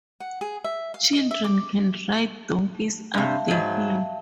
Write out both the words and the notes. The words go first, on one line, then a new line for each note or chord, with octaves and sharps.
Children can ride donkeys up the hill.
F#5
G#4
E5
F5
D#5
E5
D6
A3
G2 C3 E5 F5 A5
G#2 F#3